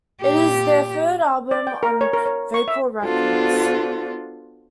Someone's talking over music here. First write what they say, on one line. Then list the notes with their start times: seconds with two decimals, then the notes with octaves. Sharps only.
It is their third album on Vapor Records.
0.21 A#2 G4
1.51 D5
1.67 G5
1.83 A#4
2.01 C#5
2.13 A#4
2.26 C#5
2.54 C#6
2.68 E5
3.03 B3 D4 F4 F#4 A4 C5